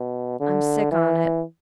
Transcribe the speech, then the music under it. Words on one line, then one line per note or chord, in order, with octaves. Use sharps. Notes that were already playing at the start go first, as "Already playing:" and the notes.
'I'm sick on it.
Already playing: B2
D3
E3